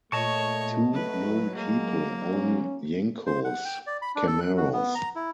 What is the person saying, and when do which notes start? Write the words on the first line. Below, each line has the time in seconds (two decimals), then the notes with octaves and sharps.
Two known people own Yenko's Camaros.
0.12 A#2 A3 C#5 D#5 A5 C#6
0.93 F#3 A3 B4
1.56 G#3 A#3
2.31 C#4
3.27 C5
3.44 F#5
3.65 G5
3.87 D5
4.02 B5
4.16 D4
4.27 A4
4.40 F#6
4.57 F#4
4.73 B3
4.95 A#5
5.15 E4